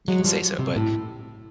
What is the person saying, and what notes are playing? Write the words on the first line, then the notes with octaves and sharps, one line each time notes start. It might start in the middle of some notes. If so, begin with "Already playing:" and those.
you can say so, but
F#3 G#3
F3 G3
C3
A2